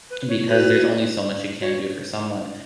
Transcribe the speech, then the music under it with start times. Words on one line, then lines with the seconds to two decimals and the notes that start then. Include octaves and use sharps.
because there's only so much you can do for someone,
0.10 B4
0.29 C#5
0.48 F#4 B4
1.61 F#4 C#5